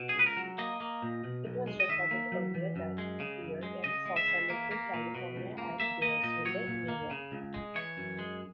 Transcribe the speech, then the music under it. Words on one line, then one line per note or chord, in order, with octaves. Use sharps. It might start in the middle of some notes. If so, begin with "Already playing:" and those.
It was recorded earlier that year in Sausalito, California, and Bearsville, New York.
Already playing: B2
G#4
C#2 B4
A#4
F#3
A#3 D#5
A#3
A#2
B2
B1
G#3
D#5
D#3 E5
A#3
F#3
E3
F#2
G#3
C#3
F#2
G#3
C#3 D#5
G#3
E5
E3
A#3
A#3
A#2
B2
C#2
A#3
A#3 E5
A#3 D#5
A#2 D#5
F#3 C#5
A#2
A#3
C#3
C#2
G#3
E3 C#5
F#2
G#3